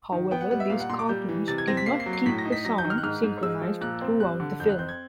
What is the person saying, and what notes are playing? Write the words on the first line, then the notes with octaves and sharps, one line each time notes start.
However, these cartoons did not keep the sound synchronized throughout the film.
D#3
B3 G5
F#5
G3 F#5
E5
A#2 F5
F#5
A#2 C6
D6
G3 G6
E3
C3 A6
G#6
C4 A#6
B6
A#3 C7
C7
F#3
C7
A2 B6
A#6
D#4
B6
F#3 A#6
G6
D#3
F6
F#6
G#2 F6
G#2
G#3 E6
F3
A#2 F#6
C4
G3 F#6
D3
F2 G6
F#6
C4 G6
G#6